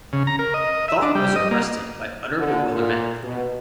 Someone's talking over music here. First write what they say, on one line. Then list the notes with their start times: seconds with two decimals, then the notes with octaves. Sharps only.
Thought was arrested by utter bewilderment.
0.13 C#3
0.27 A#5
0.39 A#4
0.54 D#5
0.88 E5
1.02 D4
1.15 G3
1.36 D#5
1.51 A#3
2.38 D3
2.71 A#2
3.23 B2